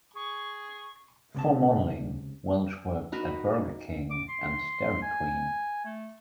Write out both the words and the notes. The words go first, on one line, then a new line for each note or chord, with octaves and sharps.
Before modeling, Walsh worked at Burger King and Dairy Queen.
G#4 C#6
C#2 C3 A5
D#4 F#4 A#4 B4
D6
C6
G#5
A3